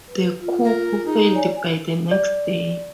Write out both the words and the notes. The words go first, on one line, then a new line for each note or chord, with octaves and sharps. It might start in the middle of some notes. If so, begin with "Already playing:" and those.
The coup failed by the next day.
B4
F4
A#4
D#4 G#4
C#5 D5 G#5
D5